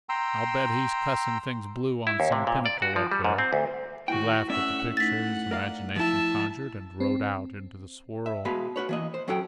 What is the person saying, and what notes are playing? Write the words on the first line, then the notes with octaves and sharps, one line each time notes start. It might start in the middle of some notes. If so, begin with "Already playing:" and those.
"I'll bet he's cussing things blue on some pinnacle up there." He laughed at the picture his imagination conjured, and rode out into the swirl.
G5 A#5 C6 E6
E4
D#2
C3
A#2
D5
F#4
F3
G3
G#2
C4
D2
D#2 A2 E4 F#4 G5
A2 C#4 D5 E5 F#5
A3 D#4 F#5 A6 B6
A#4 D5 F5
F3 E4 E5 A5
C4
E5
B2 G#3 B4 F5 B5
F#4 B4 C#5
E3 A#3 D#5
C5
F#3 C#4 A4 F#5 G5